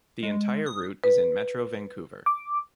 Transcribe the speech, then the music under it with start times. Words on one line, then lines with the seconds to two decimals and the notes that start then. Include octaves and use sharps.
The entire route is in Metro Vancouver.
0.23 G#3
0.66 D#6
1.04 B4
2.26 D6